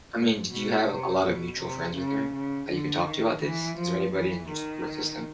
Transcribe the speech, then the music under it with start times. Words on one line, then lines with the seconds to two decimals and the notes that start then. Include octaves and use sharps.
I mean, did you have a lot of mutual friends with her that you can talk to about this? Is there anybody in your support system?
0.15 G#2
0.50 B2
0.87 C3
1.23 B2
1.60 C3
1.97 C#3
2.33 C#3
2.69 D3
3.05 D#3
3.41 E3
3.78 F3
4.13 E3
4.50 D#3